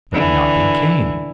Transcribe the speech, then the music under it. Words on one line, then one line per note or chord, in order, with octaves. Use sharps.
But nothing came.
D3 E3